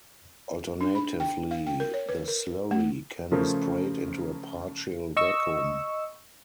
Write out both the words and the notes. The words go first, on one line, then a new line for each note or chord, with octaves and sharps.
Alternatively, the slurry can be sprayed into a partial vacuum.
D4
B5
G5
F5
G5
A#4
C#5
B4
A#4
A3
C#3 F3 A3 C#4 A#4 C5
D#5 C#6 E6